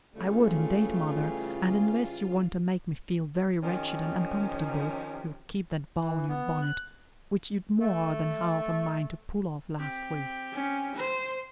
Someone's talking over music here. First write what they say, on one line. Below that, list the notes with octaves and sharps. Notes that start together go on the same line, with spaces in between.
'I would, indeed, mother, and unless you want to make me feel very wretched and uncomfortable, you'll keep that bow on your bonnet, which you'd more than half a mind to pull off last week.
C#3 E3 G3 A3 F4
C3 D#3 F3 C#4
E3
B3
F#6
A3
C4 G4
C#4
C5